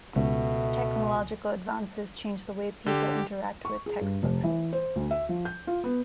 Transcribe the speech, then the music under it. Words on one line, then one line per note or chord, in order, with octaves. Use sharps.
Technological advances change the way people interact with textbooks.
C#2 B2 A3
D3 G4
C#6
G#4
G2
F1
E3
C5
D2
E5
F3
G6
F4
B3